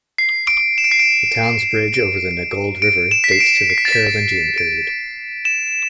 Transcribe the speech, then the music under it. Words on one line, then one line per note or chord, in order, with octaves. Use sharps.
The town's bridge over the Nagold River dates to the Carolingian period.
C7
D7
E7
D7
C7
D7
D7
D7
E7
B6
C7
D7
C7
B6
A6
B6
D7
E7